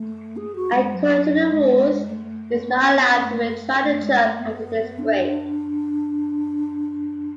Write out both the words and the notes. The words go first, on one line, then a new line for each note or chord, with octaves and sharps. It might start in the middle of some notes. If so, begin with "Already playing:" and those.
According to the rules, he was not allowed to retry the jump after this break.
Already playing: A3
G#4
F#4
G#3
F#3
G#3
A3
B3
C#4
B3
C#4
A3
A3
G#3
A3
B3
D4